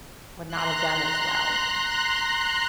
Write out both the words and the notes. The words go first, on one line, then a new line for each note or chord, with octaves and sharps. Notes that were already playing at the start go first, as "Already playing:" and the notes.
would not have done as well
A#5 C6 F#6